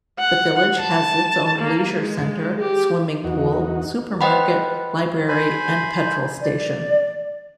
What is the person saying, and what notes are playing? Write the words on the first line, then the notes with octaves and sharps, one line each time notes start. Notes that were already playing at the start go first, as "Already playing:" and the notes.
The village has its own leisure centre, swimming pool, supermarket, library and petrol station.
F#5
A5
A#3
G#3
G4
E2 D#4 F#4
B4 C5 D#5 F#5 G5 B5
C5 G#5 B5
D5